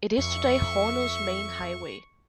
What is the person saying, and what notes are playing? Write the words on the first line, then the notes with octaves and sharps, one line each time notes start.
It is today Hornell's main highway.
F2 E5 C#6